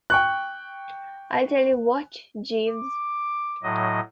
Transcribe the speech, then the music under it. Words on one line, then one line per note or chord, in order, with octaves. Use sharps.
I'll tell you what, Jeeves.
G5 C#6 F#6
D6
A2 F#3 D#5